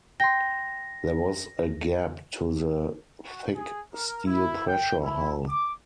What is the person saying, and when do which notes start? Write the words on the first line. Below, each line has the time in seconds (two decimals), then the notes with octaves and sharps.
There was a gap to the -thick steel pressure hull.
0.20 G5 C6 A#6
3.26 F#4
3.56 G#4
3.93 A#4
4.27 E4
4.67 G5
5.03 E4
5.49 D6